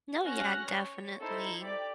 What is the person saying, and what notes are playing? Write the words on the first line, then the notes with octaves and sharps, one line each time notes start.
No, yeah, definitely.
C#4 F#4 F6 F#6 A#6
C#5
D#4 E4 A4 C5 A#5 C6
G4 D5 D6